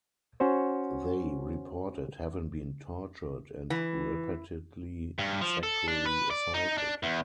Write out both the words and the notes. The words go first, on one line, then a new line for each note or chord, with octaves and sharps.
They reported having been tortured and repeatedly sexually assaulted.
C#4 F#4 C5 C#5
E3
G2
F3
A4
D4
B4
D5
D#4
D4
E2